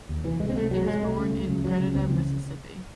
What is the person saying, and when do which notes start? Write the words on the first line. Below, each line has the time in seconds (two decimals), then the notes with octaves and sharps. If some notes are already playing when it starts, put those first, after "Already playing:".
He was born in Grenada, Mississippi.
0.09 D#2
0.24 C3 E3
0.40 C2 G#3
0.49 C4
0.56 C3 A3
0.71 C2 F#3
0.86 C3 G#3
1.03 C2 A3
1.17 C#3
1.33 C#2
1.48 C#3
1.64 C#2 F#3
1.80 C#3
1.95 C#2 C4
2.10 C#3 E3